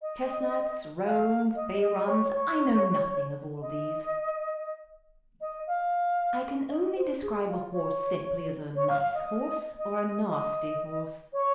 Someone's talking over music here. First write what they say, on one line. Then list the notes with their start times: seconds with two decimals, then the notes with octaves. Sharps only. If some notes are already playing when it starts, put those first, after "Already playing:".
Chestnuts, roans, bay rums--I know nothing of all these; I can only describe a horse simply as a nice horse or a nasty horse.
0.02 D#5
1.04 F5
1.55 D#5
1.81 D#5
2.06 C#5
2.33 C#5
3.61 D#5
5.41 D#5
5.67 F5
6.69 D#5
6.95 C5
7.21 G#4
7.47 F4
7.72 C#5
8.75 C#5
8.88 F5
9.00 F5
9.14 D#5
9.78 D#5
10.29 D#5
11.33 C#5